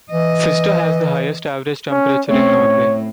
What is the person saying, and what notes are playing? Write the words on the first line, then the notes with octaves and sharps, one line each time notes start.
Fister has the highest average temperature in Norway.
E3 D#5
C#4
A3 C4 C#4 C#5
A2